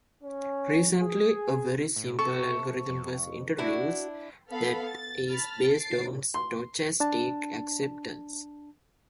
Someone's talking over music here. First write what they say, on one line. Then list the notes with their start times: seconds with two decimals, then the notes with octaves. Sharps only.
Recently, a very simple algorithm was introduced that is based on "stochastic acceptance".
0.22 C#4
0.99 G#4
1.96 A2
2.19 C3 A4 C#6
2.89 F2
3.58 D4 E4 F#4
4.50 B3 A4 F5 B5
4.86 A6
5.28 A5 B5 F6 A6
5.71 A6 C7 D7
6.34 C6
7.00 D4 A5